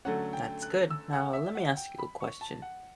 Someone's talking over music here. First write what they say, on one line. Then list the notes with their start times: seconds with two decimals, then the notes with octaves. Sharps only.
That's good, now let me ask you a question.
0.05 D3 F#3 A3 C#4 F#5
0.33 G5
0.62 F#6
0.90 E6
1.13 F#5
1.33 E5
1.55 F#5
1.77 G5
1.98 B5
2.20 C#6
2.41 A5
2.62 F#5